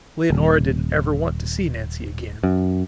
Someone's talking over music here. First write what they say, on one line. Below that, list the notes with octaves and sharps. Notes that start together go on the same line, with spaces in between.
Leonora didn't ever want to see Nancy again.
D#1
F#2